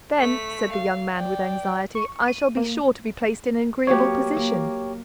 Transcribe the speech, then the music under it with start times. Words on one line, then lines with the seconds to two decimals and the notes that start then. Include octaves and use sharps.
"Then," said the young man, with anxiety, "I shall be sure to be placed in an agreeable position."
0.18 A3 B6
0.72 F5
1.16 D5 G5
1.95 C#6
2.28 D#7
2.57 A#3
3.87 F#3 A#3 B3 G4 C#5
4.37 A#3